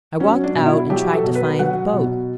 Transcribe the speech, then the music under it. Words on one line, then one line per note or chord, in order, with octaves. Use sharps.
I walked out and tried to find the boat.
F#3 C#4
D4
B2
E4
F#3 G4
A4
B2
B4
F#3 F#5
B2